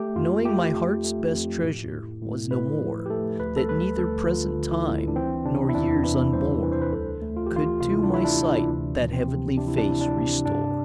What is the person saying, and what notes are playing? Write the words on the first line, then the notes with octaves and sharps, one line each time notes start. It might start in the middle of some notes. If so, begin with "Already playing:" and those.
Knowing my heart's best treasure was no more; That neither present time, nor years unborn Could to my sight that heavenly face restore.
Already playing: A3 G4
F2 F4
A3 G4
F2
A3
F2
A2
A2
A2
A2 B4
F3
G4
A3 A4
D2 B4
A4
G3 B4
D2 A4
D3 F4
D3
E4
D2
D4
E3 C4
C3 D4
E4
E2 D4
E3 E4
G3 C5
E3 B4
C5
B4
D2 A4
A3
F4
G4
E3
F4
C3 F4
E4
D4
E3 E4
D4
C3
D2
F3
C4
C3
C3 D4
E4
D4
C3 E4
D4
C3
G2 D4